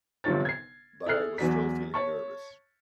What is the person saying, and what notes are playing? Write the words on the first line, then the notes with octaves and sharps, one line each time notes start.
But I was still feeling nervous.
G1 G2 C3 F3 C#5 A6
G#6 C7
E4 G#4 A4 F6 F#6 C7
E2 E3 F#3 D5 B6
C#5 A5 C#6